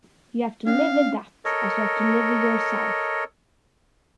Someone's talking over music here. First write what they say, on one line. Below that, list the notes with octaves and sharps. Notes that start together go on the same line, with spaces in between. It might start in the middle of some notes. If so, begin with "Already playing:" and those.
You have to live with that, as you have to live with yourself.
C#4 D4 F5
A4 A#4 C#5 D#5